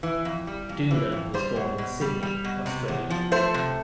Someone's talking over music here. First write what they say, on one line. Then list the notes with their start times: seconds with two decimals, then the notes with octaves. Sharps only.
Doolan was born in Sydney, Australia.
0.03 E3
0.25 F2
0.47 G3
0.69 F2
0.91 E3
1.12 F2
1.34 G3 C5
1.56 B2
1.78 B2
2.01 G3
2.23 G3
2.44 B2
2.66 C3
2.88 E2
3.10 F3
3.32 A3 C5
3.54 C3